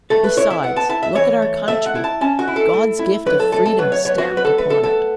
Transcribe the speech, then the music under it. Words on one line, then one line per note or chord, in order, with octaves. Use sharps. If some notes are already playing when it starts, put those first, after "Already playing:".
Besides, look at our country; God's gift of freedom is stamped upon it.
A3 A4
B4
E4 C#5
E5
B3 F#5
A5
E4 A5
E5
E3 C#5
A3
A3 E5
F#5
E4
A5
C#4 A5
F#4
E4
A4
A3
E4
F#3 B4
A4
A3 A4
A4
F#3 B4
C#5
B3 C#5
F#4
F#3
B4
A4
A3 B4
A4
B3 A4